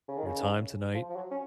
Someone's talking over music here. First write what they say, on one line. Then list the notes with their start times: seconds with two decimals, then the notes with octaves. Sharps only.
your time tonight,
0.08 C#3
0.17 D#3
0.25 C#3
0.94 F3
1.10 F3
1.16 F#3
1.31 C#4